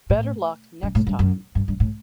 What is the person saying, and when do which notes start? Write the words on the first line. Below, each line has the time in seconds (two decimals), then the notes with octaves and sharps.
Better luck next time.
0.10 A2
0.83 G2
0.95 A2
1.07 G2
1.19 F#2
1.55 G2
1.68 G2
1.80 A2